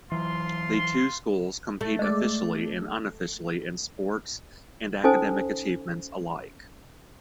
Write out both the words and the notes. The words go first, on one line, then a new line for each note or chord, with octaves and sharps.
The two schools compete officially and unofficially in sports and academic achievements alike.
E3 F#3 F4 C6
A3
G#3 D5
C#4 D#4 A4 C5 G#5 D#6